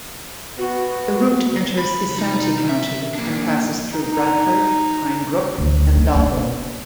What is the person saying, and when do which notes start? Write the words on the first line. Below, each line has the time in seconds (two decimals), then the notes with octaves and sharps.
The route enters Isanti County and passes through Bradford, Pine Brook, and Dalbo.
0.58 B3 F#4
1.79 B5
2.19 D#4
2.69 E5
3.15 A#3 D4
3.91 D#4
5.58 D2
5.96 A3
6.15 A3